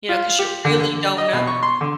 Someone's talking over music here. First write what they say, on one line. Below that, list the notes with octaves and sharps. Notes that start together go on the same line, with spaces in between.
You know, 'cause you really don't know.
F4
G4
D3
D3
D#5
B2
C#6
C6
D3